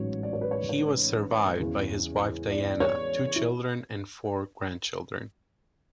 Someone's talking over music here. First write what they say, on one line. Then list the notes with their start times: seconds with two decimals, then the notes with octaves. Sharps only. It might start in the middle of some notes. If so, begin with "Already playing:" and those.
He was survived by his wife Diana, two children and four grandchildren.
Already playing: A1 G#2 F#3 C#5
0.23 D5
0.33 C#5
0.41 B4
0.51 C#5
0.69 C#5
1.60 E2 C#3 E3
2.51 D5
2.65 D5
2.80 C#5
3.36 E4